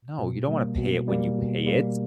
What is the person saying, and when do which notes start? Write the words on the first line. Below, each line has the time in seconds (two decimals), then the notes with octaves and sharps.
No, you don't want to pay it when you pay it,
0.19 B2
0.48 G3 A#3
0.78 B2
1.08 G3 A#3
1.38 B2
1.66 G3 A#3